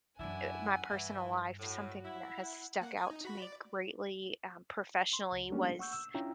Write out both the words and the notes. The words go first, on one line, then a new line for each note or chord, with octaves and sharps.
uh, my personal life, something that has stuck out to me greatly, um, professionally was,
F#2 E3 D4 E4 F#5 G#5
G2 E3 E4
A2 F#4
E4 F#5
A#3 F#5
G#5
D#4
F#4 B5
D5
C6
C#2
G3 A3 A#3 C#4 D4 G4
F#5 C#6 E6 G6
E6
C#4 D4 E4 F4 G5 A#5